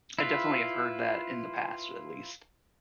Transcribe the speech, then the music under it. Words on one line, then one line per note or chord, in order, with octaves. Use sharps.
I definitely have heard that in the past at least.
E4 F4 B4